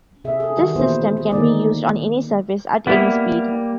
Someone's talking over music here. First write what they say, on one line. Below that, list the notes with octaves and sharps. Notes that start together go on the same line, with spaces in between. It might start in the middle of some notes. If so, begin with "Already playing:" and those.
This system can be used on any surface at any speed.
C3 G#4 E5
G#4 A4
D#3 G3 F#4
A#2 E3 B3 E4 C5
G#4
D3 D#3 A#3 D#4 D5
G3 A#3 B3 E4